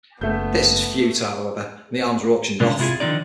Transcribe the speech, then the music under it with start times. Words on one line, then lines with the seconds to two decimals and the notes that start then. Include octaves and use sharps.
This was futile, however, and the arms were auctioned off.
0.21 F#1 A3 B3 E5 G6
2.60 B2 D3 G#3 C#4
2.79 C3 E4 F4 G#4
3.00 D3 D#3 F3 D4 D#4 D5